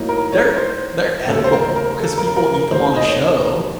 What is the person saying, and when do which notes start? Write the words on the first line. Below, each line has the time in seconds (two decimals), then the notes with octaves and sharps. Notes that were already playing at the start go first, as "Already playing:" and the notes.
they're they're edible 'cause people eat them on the show.
Already playing: A2 F#3 A#3 D#4
0.09 A#4
0.32 C#5
0.57 C5
1.28 D#2 C#3 F#3 A3 A4
1.44 C5
1.52 A#4
1.76 A#4
2.00 A4
2.18 A#4
2.37 A#4
2.54 A#4
2.72 D#2 D#3 A3 C5
2.96 D#5
3.08 C#5